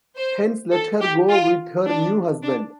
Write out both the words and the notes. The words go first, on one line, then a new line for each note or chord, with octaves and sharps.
Hence let her go with her new husband.
C5
A4
G4
F4
D4
D4